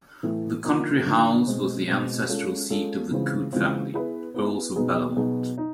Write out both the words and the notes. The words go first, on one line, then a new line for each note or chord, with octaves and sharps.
The country house was the ancestral seat of the Coote family, Earls of Bellamont.
A2 E3 A3
D3 F3 A#3 D#4
D3 F3 A#3 D#4
B2 G#3 C4
B2 G#3 C4
G#3 C#4 F4 A4
G#3 C#4 F4 A4
C#3 E3 G#3 C4 F4
C#3 E3 G#3 C4 F4
B3 E4 G#4 B4
B3 E4 G#4 B4
B2 F#3 B3 D#4 G#4
B2 F#3 B3 D#4 G#4
D#4